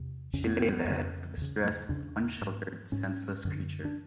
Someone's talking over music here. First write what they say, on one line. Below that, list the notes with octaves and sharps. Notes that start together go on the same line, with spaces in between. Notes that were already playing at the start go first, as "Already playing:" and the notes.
She lay there, a distressed, unsheltered, senseless creature.
Already playing: E2 C3
F2 C#3 C#4
B3
B3
B3
F2 C#3
E2 C#3
E2 C#3 D4
G#2
G#2 C#4
F#2 D3
D4